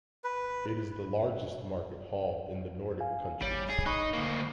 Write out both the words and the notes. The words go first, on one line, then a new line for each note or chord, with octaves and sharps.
It is the largest market hall in the Nordic countries.
B4
F5 G#5
G#1 G3 C#5
G#4
D#4 B5 C#6 F#6
D2 A#3